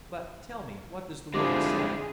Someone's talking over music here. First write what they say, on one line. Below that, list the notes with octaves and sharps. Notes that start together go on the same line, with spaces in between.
"But, tell me, what does the woman say?"
D3 F3 G#3 C4 E4 G4 G#4 D6